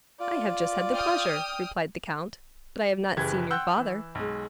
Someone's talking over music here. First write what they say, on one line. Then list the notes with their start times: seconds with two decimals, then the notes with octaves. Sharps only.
"I have just had the pleasure," replied the count; "but I have not seen your father."
0.20 F4 D5
0.93 G5 D#6 F6
3.17 F#1 C#3 E3 G4 G#6
3.50 F#5 G5 C6 E6 F#6 G6
3.76 E3
4.15 B1 G#3